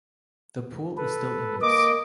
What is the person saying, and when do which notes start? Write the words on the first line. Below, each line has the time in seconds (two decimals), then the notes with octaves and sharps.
The pool is still in use.
0.97 A4 B4
1.62 A#3 D#5 D6